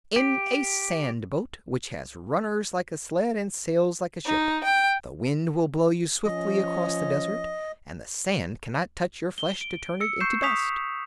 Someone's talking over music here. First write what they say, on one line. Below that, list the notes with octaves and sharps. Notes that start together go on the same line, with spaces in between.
"In a sand-boat, which has runners like a sled and sails like a ship. The wind will blow you swiftly across the desert and the sand cannot touch your flesh to turn it into dust."
G4
D#4
G5
F3 C#4 D#5
G7
D7
E6 C#7
C#6 G6 C7 E7
C#6 D#6 B6 F7